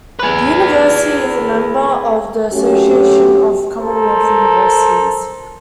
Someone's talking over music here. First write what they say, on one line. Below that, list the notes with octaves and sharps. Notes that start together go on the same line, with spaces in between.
The university is a member of the Association of Commonwealth Universities.
G#4 B4
F#3 A3 C#4 F#4 G4
A4 A#4 C5